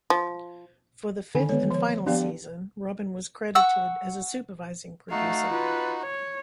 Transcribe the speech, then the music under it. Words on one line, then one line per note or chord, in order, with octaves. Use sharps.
For the fifth and final season Robin was credited as a supervising producer.
F3
D3 D#3 G#5
G#3 B3 C#5
F3 C#5
F3 B3 D4 G4 F5
F#5 C#6 E6
A3 D#4 F#4 F5
F4 B4
C#5